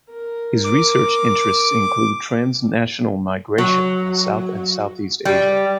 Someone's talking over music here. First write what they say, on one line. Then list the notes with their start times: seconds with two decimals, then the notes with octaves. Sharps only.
His research interests include transnational migration in South and Southeast Asia.
0.11 A#4
0.65 D6
3.58 F#3
5.25 G3